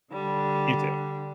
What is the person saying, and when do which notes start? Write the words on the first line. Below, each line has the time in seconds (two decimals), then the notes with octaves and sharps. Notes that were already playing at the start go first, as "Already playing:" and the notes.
You too.
0.13 D3 G3